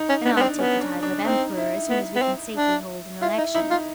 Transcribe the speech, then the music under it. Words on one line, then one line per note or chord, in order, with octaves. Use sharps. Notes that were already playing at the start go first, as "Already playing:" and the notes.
And I'll take the title of Emperor, as soon as we can safely hold an Election.
Already playing: D#4
C#4
B3 D4
B3
C4
B3 C#4
D4
D4
C4 D#4
E4
B3
B3
C4
D4
E4 F4
D#4
D#4 E4
F4